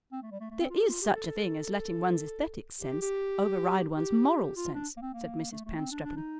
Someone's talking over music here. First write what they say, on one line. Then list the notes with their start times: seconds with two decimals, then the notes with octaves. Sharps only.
"There is such a thing as letting one's aesthetic sense override one's moral sense," said Mrs. Panstreppon.
0.12 C4
0.22 A3
0.31 G3
0.40 A3
0.50 A3
0.60 C4
0.70 F4
0.79 G4
0.89 F4
1.02 G4
1.15 A4
1.27 A4
2.81 G4
3.02 G4
3.97 G4
4.36 G4
4.56 F4
4.74 D4
4.97 A#3
5.01 C4
5.13 A#3
5.52 A3
5.65 A3
5.78 C4
5.91 D4
6.04 D4
6.16 D#4